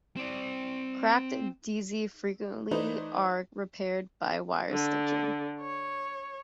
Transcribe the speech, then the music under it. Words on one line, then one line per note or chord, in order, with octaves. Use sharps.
Cracked "deze" frequently are repaired by wire stitching.
C4 D5
E3 A3 D#4 B4 C5 D5
D3
C#5